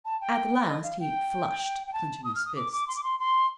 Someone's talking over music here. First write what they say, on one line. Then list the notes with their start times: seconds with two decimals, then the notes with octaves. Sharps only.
At the last he flushed, clenching his fists.
0.05 A5
0.21 G5
0.68 D#5
0.83 F5
1.00 G5
1.87 G5
1.93 A5
2.24 D#6
2.35 F6
2.46 D#6
2.56 D6
2.72 D6
2.88 C6
2.96 D6
3.03 C6
3.19 C6